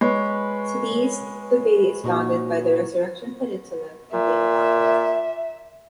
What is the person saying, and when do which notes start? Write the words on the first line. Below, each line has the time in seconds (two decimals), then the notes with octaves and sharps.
To the east, the bay is bounded by the Resurrection Peninsula and Day Harbor.
0.01 G#3 B4 C#5
2.04 A#2 D#4 F#4 C#6
4.13 A#2 E5